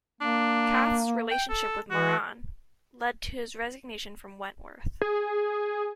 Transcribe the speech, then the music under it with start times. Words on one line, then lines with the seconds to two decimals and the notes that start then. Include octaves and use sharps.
Kath's relationship with Moran lead to his resignation from Wentworth.
0.21 A#3 D4
1.31 G5
1.49 A4
1.90 E3 F#4
5.02 G#4